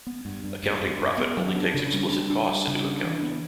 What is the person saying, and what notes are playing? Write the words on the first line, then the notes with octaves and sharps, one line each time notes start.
Accounting profit only takes explicit costs into account.
B3
G2
G2
G2
G2
G2
B3
F#3
D4
C#3
G3
D4
D4
G3
C#3
D4
E3
B3